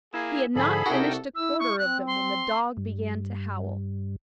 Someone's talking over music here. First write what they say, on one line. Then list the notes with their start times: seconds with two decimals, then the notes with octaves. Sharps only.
He had not finished a quarter of them, when the dog began to howl.
0.14 A#3 E4 G#4
0.56 G#2 D3 F3 G#4 A4 B5
0.86 C2 D#4 F#4 A#4 G5
1.35 E4 E6
1.60 C#6
1.78 C4 F#6
2.07 C6
2.77 G2